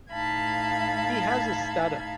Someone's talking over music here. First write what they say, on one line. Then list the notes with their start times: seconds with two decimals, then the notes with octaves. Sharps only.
He has a stutter.
0.13 A2 D#4 F5 A5 B5 G#6